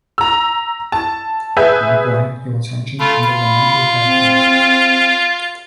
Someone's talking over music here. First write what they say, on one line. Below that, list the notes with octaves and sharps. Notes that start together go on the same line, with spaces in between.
At one point he was sectioned under the Mental Health Act.
A#5 E6
A5
G#4 B4 E5 G#5 G6
A3 F4 B5
F4 B5
C4